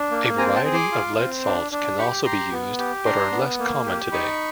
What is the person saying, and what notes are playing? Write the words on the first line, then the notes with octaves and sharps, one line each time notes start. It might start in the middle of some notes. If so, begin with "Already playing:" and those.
A variety of lead salts can also be used, but are less common today.
Already playing: D4
A#3
C4 G#5 A#5
G5 A5
G#4
C6 D6
F4
C4
D4
D4
G4 B5 C#6
G4 A#5 C6
B3
G4
D4 A#5 C6
B3
A#3
G4
D#4 B5 C#6